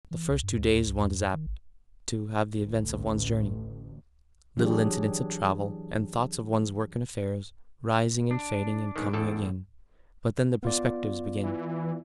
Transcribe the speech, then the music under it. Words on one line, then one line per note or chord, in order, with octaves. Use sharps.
The first two days one is apt to have the events of one's journey, little incidents of travel, and thoughts of one's work and affairs, rising and fading and coming again; but then the perspectives begin.
E3
C2
G2
D2
D#2
C2
E2
F2
D#3
G#1
A1 D2
E3 F#3 D4 G4 G#4
D4
B1 G#2 D#3
E2 A2 A4
B3 F4 D5
E3